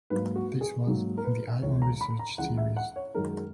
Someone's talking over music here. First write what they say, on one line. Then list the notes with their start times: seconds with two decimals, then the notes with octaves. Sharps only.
This was in the "Eye on Research" series.
0.10 G#2 F#3 A#3 B4
0.36 F#4
0.61 G#4
0.87 G#2 F#3 A#3
1.17 A#4
1.24 B4
1.62 C#2 C#3 E3 C#5
1.82 A#5
2.01 B5
2.19 A#5
2.38 C#2 C#3 E3 F#5
2.57 E5
2.76 F#5
2.96 C#5
3.15 F#2 D#3 G#3 A#4